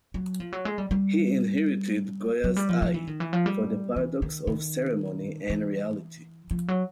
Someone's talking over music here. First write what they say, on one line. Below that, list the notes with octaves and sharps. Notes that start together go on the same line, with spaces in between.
He inherited Goya's eye for the paradox of ceremony and reality.
F#3
F3
F#3
G#3
G3
G3
F#3
G3
F3
F3
E3
D#3
E3
F3
G3
E3
D#3
D#3
E3
F3
F#3